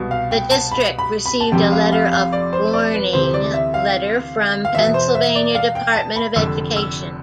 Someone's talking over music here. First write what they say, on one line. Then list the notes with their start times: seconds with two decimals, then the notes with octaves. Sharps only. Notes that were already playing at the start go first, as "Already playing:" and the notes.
The district received a letter of "Warning" letter from the Pennsylvania Department of Education.
Already playing: C2 B2
0.11 F5
0.31 G5
0.51 A5
0.72 B5
0.99 B5
1.26 B5
1.41 A5
1.52 F1 F2 C3 F3 G5
1.72 F5
1.92 F5
2.13 F5
2.33 D5
2.53 C5
2.73 D5
2.93 B4
3.13 D2 C3 E3 C5
3.34 D5
3.54 E5
3.74 F5
4.65 F5
4.75 E2 B2 E5
4.94 C5
5.15 E5
5.35 D5
5.55 F5
5.75 G5
5.96 A5
6.16 B5
6.36 F1 F2 D3 E6
6.76 E6